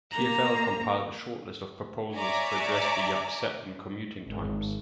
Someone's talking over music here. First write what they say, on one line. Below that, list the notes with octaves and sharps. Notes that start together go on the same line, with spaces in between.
TfL compiled a shortlist of proposals to address the upset in commuting times.
A#3 A#5
C#5 D5 E5 G#5 A#5 D6
G#1